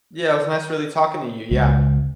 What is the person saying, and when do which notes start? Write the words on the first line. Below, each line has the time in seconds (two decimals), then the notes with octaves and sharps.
Yeah, it was nice really talking to you, yeah.
1.51 C#2